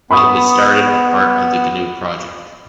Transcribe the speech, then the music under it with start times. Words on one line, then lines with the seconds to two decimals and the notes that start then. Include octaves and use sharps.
It was started a part of the GNU project.
0.11 B3 B5 C#6 D#6